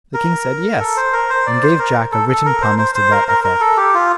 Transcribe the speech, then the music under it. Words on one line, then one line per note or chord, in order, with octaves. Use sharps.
The King said 'Yes,' and gave Jack a written promise to that effect.
A#4
A4
C5
A#4
C5
D5
C5
A#4
A4
A4
A#4
C5
C5
C5
A#4
A#4
A#4
A4
G4
F4